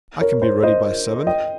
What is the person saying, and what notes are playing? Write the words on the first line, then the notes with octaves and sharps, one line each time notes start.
I can be ready by seven.
A#4 C#5
C5
C5 D#5
D#5 G5